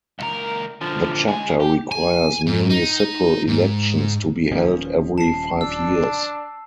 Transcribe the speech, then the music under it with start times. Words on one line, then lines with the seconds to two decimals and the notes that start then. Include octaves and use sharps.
The chapter requires municipal elections to be held every five years.
0.19 C#2 A#4
0.81 D3 F3
1.27 C#2 G#4
1.60 G4
1.92 G#5
2.47 G#2
2.70 D#4
3.47 G#2
4.51 D#1 D#3 F3 A#3 C#4
5.18 A5 C7
5.61 D4 E6